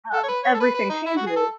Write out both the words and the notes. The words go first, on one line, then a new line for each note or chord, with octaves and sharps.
Um, everything changes.
A4
C#5
B4
C#5
A4
B4
B4
D#4
E4
F#4
G#4
A4